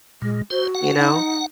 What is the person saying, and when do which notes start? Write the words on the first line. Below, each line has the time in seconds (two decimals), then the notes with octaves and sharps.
You know?
0.22 A#2 G#3
0.50 F#4 C5
0.75 F#5
0.98 D#4